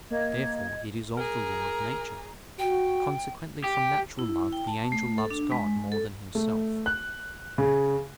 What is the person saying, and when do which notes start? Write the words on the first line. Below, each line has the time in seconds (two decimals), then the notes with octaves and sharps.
Therefore, it is of the law of nature. Consequently from natural love the angel loves God more than himself.
0.10 A#3 D#5 G#6
1.17 G#4 A#4 A#5
2.59 F#4 G5
3.64 G4
4.19 E4
4.53 G5
4.67 A5
4.92 A3
5.18 A4
5.31 D4
5.52 G#3
5.92 A4
6.35 A3
6.86 F#6
7.58 C#3